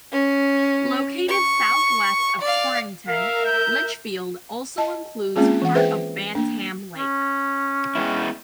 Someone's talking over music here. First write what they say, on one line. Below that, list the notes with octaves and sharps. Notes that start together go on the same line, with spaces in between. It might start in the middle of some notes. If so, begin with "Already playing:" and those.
Located southwest of Torrington, Litchfield also includes part of Bantam Lake.
C#4
C#6
D5 F5
A#4 E5 F5
G6
D#5 A5
G#3 A#3 C4 C#4 F4 G#4
E3 F#5
G#4 B4 C5 E5 G5
A#3 D4
C#4
G#3 B3 E4